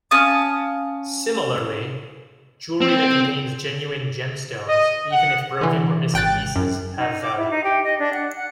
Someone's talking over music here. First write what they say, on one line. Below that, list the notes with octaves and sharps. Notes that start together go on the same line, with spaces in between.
Similarly, jewelry that contains genuine gemstones, even if broken or missing pieces, have value.
C#4 F5 A5 D#6
C4
D#5
F#5
D3 E3
G#1 G5 F#6 A6
F#2
D#4
D6
E4
D#4
G4
D#5
D4
F#5
F#5